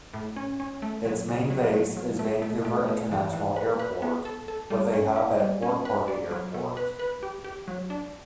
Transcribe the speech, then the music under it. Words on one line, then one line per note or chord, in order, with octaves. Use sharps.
Its main base is Vancouver International Airport, with a hub at Port Hardy Airport.
A2
C#4
C#4
A3
F#3
C#3
F#3
F#3
F#3
A3
A3
A3
A3
E3
E3
B4
B4
B3
A4
A4
G3
C#4
E4
G3
C#4
B4
D5
F#3
B2
B4
B4
G4
G4
F#3
D4